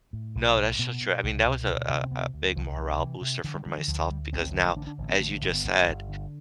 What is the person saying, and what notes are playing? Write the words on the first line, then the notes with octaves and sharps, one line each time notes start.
No, that's so true. I mean, that was a a a big morale booster for myself, because now, as you just said,
A2
B1
A2
B2 B3
B2
C2
B2
D2
C3
C4
D2 B3
D2
C2 F3
C3 E3
C3 E3
C3
D3 E3
G3
D3 G3
E3
D2 F3
D2 G3
A1 C4
D3
C4
D3 D4
D4
A1
B3
D3 A3
A3
G1 G3
B3
G1
G1
D3